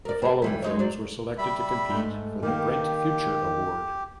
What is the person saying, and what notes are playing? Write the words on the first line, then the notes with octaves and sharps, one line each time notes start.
The following films were selected to compete for the Bright Future Award.
A#4 D5
C4 G#4
D3 E3 G3
G#3 D#4 C#5
F#3 C5 D5
G3 E5 B5
G#2 A3
D#3 A#3 G4